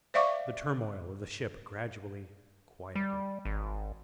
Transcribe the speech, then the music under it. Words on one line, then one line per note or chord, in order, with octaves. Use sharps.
The turmoil of the ship gradually quieted.
C5 D5 E5 F5 C#6 D6
G3
G#1